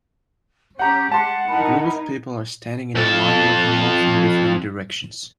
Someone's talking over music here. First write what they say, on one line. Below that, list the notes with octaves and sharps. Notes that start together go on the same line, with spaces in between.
A group of people are standing in a line looking off in different directions.
C#4 G4 F#5 A#5 G6
G#3 F#5 A5 C6
D#4 E4 A#4 B5
F2 A4